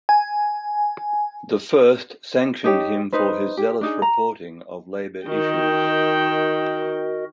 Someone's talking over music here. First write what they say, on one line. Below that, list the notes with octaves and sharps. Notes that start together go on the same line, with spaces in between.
The first sanctioned him for his zealous reporting of labour issues.
G#5
D#4 G4 C#5
D#4 B4 C5
G4
D4 D#4 G#4
A#5
D#3 F#4 A#4 D#5 G5